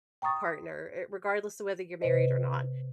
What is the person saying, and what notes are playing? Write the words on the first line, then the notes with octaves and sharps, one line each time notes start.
partner, uh, regardless of whether you're married or not,
G5 A#5 C#6 D#6 A6
C3 B4 C5 D#5